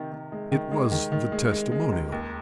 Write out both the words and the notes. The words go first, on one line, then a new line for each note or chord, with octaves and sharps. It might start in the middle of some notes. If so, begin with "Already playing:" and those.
It was the testimonial.
Already playing: C3 D#3
D#3
G#3
D#3
G#3
D#3
D#3
G#3
G#3
G#3
C#2
D#2